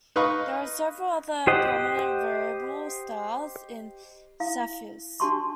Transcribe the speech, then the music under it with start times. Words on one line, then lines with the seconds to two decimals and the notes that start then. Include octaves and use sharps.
There are several other prominent variable stars in Cepheus.
0.16 D#4 B4 D#5 F5 C#6
1.47 G4 C5 D#5 F#5
4.40 E4 F5
5.20 D4 F#4 G4 A5 C6 C#6